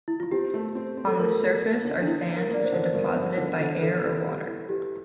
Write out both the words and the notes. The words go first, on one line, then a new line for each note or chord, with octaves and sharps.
On the surface are sands which were deposited by air or water.
E4
F4
C4 G4
A3
C4
C4
A4
A3 A#4
A3
A3
D3
D4
F3 E4
A#3
A#4
A#3 D5
C5
D3
C5
G2 A#4
G2
D3
D3
E3 A4
C3
G3
E3
E3 G4